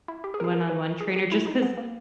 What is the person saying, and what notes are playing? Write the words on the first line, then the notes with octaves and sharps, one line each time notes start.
one-on-one trainer, just 'cause
E4
G4
G#4
A#4
G#4
A#4
B4
A#4
G#4
G4
E4
D#4
B3
A#3